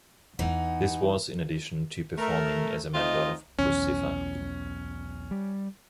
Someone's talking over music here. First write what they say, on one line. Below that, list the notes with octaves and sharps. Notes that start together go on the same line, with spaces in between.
This was in addition to performing as a member of Puscifer.
E2 E3 B3 D#4 F#5
A3 A#4
A3 C4 D#4 F4 D#5
B1 E2 C#4
G3